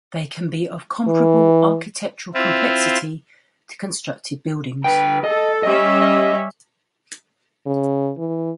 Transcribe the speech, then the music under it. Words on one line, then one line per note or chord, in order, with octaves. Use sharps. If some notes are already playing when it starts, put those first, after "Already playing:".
They can be of comparable architectural complexity to constructed buildings.
E3
C4 E4 F4
D3 B4 G5
A4 D#5
G3 C#4 D#5 E5
D#5
C#3
E3